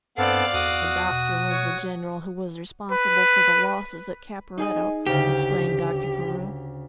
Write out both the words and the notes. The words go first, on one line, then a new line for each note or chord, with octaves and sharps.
"The doctor was the general who was responsible for the losses at Caperetto," explained Dr. Carew.
G2 B3 C4 A4 D5 F5
E2 F#4 D#6
B2
C#5
B4
D#4 G#4 D#5
D2 C#3 G4